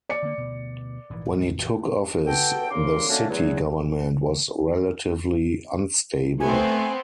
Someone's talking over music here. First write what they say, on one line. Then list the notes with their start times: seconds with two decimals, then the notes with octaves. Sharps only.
When he took office, the city government was relatively unstable.
0.09 D5 C#7
0.23 D3 A#3
0.38 D2 B2
1.10 A#1 G#2 E3
2.25 B3 F#4 A4 G5
2.70 C2 C#3 A#4 C6 D6
3.09 D3 F#3 A3 A#3 C#4 D4
3.29 E2 F#3
6.40 A3 B3 C4 G#5